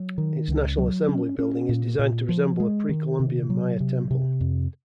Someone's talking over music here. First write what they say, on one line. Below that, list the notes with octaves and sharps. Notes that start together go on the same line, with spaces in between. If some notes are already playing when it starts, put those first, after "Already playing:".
Its National Assembly Building is designed to resemble a Pre-Columbian Maya temple.
Already playing: F#3
D#3
C#2
F#3
C#4
C#4
A#2
A#2
F3
G#3
D#3
C3
F#3
C3
C3
F2